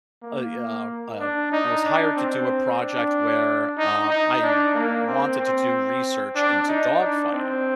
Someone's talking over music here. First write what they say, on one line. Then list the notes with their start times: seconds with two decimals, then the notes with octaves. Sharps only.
a, uh, uh I was hired to do a project where, uh, I w wanted to do research into dogfighting,
0.23 A#3
1.20 D4
1.52 D#4
1.84 D4
2.16 C4
2.81 D4
3.78 D#4
4.10 D#4
4.42 D4
4.75 A#3
5.07 C4
5.39 C4
6.35 D4
6.68 D#4
7.01 D4
7.33 C4